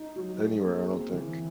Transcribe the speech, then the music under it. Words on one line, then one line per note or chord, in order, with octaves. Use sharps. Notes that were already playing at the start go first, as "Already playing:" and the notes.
anywhere, I don't think.
Already playing: D#4
F#3
G#4
A#3
C4
E3